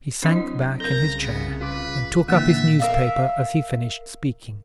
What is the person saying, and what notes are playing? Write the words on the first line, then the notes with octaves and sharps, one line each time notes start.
He sank back in his chair, and took up his newspaper as he finished speaking.
F#3 C4 D4 E4 D#5 D#6
C2 C#3 A4 A#4 A#5
B3
F4 B4 D6
A#2 D3 E3 A#3 B3 E5 A6
A#4 E5 F5